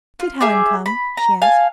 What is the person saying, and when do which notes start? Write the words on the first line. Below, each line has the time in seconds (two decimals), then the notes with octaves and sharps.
"Did Helen come?" she asked.
0.20 F4
0.41 G4 G#4 E5
0.86 B5
1.17 A#5
1.42 F5 G#5 A5